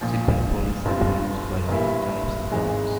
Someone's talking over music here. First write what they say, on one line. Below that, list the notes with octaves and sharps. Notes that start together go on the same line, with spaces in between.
Secret police have been used by many types of governments.
A#1 A#2 F3
G1 G2 G3 C4 F4
G1 G2 E3 A#3 E4
G#1 G#2 E3 G#3